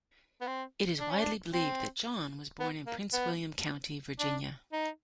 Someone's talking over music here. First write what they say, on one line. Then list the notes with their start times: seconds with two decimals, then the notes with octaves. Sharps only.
It is widely believed that John was born in Prince William County, Virginia.
0.41 B3
0.47 C4
1.00 D4
1.10 C#4
1.22 D4
1.53 C4
2.60 B3
2.86 A#3
3.13 B3
4.19 D4
4.72 D#4